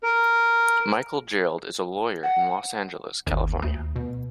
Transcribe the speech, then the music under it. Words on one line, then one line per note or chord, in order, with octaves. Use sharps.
Michael Gerald is a lawyer in Los Angeles, California.
A#4
F#5
G1 D#2
D2
B2